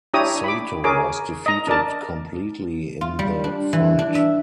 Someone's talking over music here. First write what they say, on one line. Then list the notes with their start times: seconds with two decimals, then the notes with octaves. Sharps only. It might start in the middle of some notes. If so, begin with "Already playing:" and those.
Sato was defeated completely in the fight.
0.14 D4 E4 G4 C#5 A#5 D#6
0.44 B5 D6
0.84 G#4 A#4 C#5 D6
1.46 D#5 A#5
1.67 D4 A#4 D5 A5
3.01 F4
3.19 G3
3.44 D4
3.73 E3
3.99 D4
4.15 E5